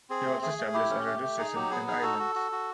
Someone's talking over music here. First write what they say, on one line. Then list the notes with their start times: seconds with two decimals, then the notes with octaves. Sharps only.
He also established a radio station in the islands.
0.10 C4 G#4
0.26 A3
0.42 A3 G#4
0.58 A3
0.74 E4 G4
0.90 C#4
1.07 A3
1.22 A3
1.38 D#4 G#4
1.55 F#3 G4
1.71 B3 G#4
1.87 D#4 G#4
2.03 F#4 A4
2.19 F#4
2.35 F#4
2.52 F#4